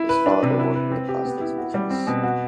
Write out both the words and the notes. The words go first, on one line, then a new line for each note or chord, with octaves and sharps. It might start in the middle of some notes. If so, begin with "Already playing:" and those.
His father worked in the plastics business.
Already playing: E4
B4
D4
C3
E4
B4
C4
G4
B3
E4
F#4
G3
C4
B2
F#4